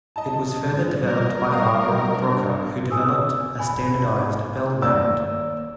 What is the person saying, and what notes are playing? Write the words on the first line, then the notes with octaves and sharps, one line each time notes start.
It was further developed by Barbara Brocker who developed a standardized bell layout.
D#5 A5
G#2 G#4
G3 A#4
F5 A#5 D#6
D4
G#5 D#6 E6
G#5 B5
D#2 A#3 D5 E6